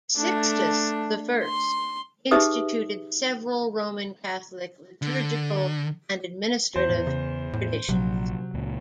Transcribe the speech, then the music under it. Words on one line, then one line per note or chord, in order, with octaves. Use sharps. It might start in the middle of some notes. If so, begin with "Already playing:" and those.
Sixtus I instituted several Roman Catholic liturgical and administrative traditions.
A3 D4
C6
D#4 G4 G#4 B4 E5 D#6
D3
E2 C5
A2
C#3
A2
A#1 C3 F#3
C#2 A#2